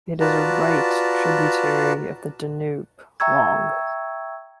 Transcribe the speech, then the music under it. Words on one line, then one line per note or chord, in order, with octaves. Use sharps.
It is a right tributary of the Danube, long.
F4 F#4 B4 D5 A5 A#5
E5 G5 A#5 C#6 E6 G#6